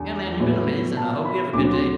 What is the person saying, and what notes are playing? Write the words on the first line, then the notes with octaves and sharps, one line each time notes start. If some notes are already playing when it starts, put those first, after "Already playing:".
Yeah, man, you've been amazing, I hope you have a good day.
Already playing: E2 D3 G3
A2 F#3 B3
A5
B5
D2 D3 F#3 C4 D6
C6